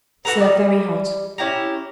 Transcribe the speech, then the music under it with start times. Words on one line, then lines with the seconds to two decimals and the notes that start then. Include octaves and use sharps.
Serve very hot.
0.25 F#4 A4 B4 A#5
0.40 G3 D#5
1.38 C#4 E4 G4 A#5